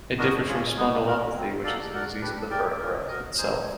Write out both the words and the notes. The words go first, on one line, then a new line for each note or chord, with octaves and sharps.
It differs from spondylopathy, which is a disease of the vertebra itself.
B3 D4 F#4 A#4 D#5
G#3 C#4 F4 G#4 C#5
G#3 B3 D#4
C#4 F#4 A#4
G#3 C4 D#4
D#4 F#4 A4 D5 F5
D#4 F#4 A#4 D5 F#5
D4 G4 B4
G4 A#4 D5 G5
C#4 F4 A#4
F#4 A#4 D#5
D#4 G#4 C5